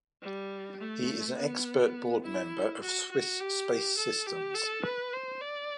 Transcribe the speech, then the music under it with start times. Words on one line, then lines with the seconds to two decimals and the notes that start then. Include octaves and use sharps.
He is an expert board member of Swiss Space Systems.
0.22 G3
0.80 A3
1.38 B3
2.24 E4
2.82 F#4
3.11 F#4
3.40 G4
3.97 A4
4.26 G4
4.55 A4
4.84 B4
5.13 C5
5.41 D5